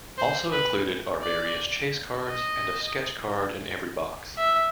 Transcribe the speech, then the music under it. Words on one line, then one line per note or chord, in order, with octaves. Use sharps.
Also included are various chase cards and a sketch card in every box.
C5
B4
D5
D#5
E5